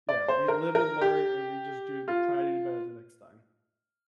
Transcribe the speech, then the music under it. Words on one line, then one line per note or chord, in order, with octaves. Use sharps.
Yeah, we live and learn and we just do try to do better the next time.
D5
C5
A#4
A#4
G4
F4